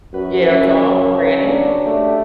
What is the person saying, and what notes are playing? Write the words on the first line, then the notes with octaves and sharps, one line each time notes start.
Yeah, Tom Brady,
F#2 F#4 B4
C#3 F#3 C#4
D4
A3 G4